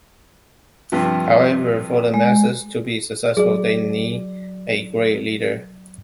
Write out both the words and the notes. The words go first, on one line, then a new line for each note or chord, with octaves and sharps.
However, for the masses to be successful, they need a "Great Leader".
G2 C3 F3
G#3
F#3 G#4 D5